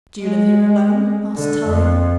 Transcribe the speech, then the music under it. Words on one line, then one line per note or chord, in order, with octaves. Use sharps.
"Do you live here alone?" asked Tarling.
G#3
D3
F2